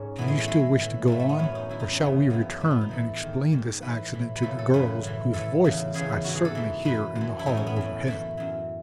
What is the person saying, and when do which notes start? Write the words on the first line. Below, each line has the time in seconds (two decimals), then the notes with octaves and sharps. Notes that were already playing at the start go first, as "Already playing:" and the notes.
"Do you still wish to go on, or shall we return and explain this accident to the girls whose voices I certainly hear in the hall overhead?"
Already playing: G#2 C#4
0.18 A2 E3 B3
0.28 G#3
0.39 A3
0.48 A2 E3 G#3
0.79 A2 E3
1.08 A2 E3 A3
1.19 A3
1.29 B3
1.39 F#2 E3 C#4
1.55 D#4
1.69 F#2 E3 E4
1.80 D#4
1.91 C#4
1.99 F#2 C#3 E3 B3
2.30 F#2 C#3 E3 B3
2.60 A2 E3 A3
2.70 B3
2.81 D#4
2.89 A2 E3 A4
3.22 G#2 D#3
3.52 G#2 D#3
3.82 A2 E3 B4
4.13 A2 E3
4.35 B4
4.43 F#2 C#3 E3 A4
4.59 A4
4.74 F#2 C#3 E3 B4
5.03 A2 E3
5.34 A2 E3 A4
5.64 E2 C#3 E3
5.94 E2 C#3 E3 G#4
6.24 G#2 E3 F#4
6.36 G#4
6.45 A4
6.55 G#2 E3
6.85 F#2 E3 B4
7.15 F#2
7.21 E3
7.39 E4
7.46 A2 E3 D#4
7.57 C#4
7.67 B3
7.76 A2 E3
8.07 F#2 E3 A3
8.37 F#2 E3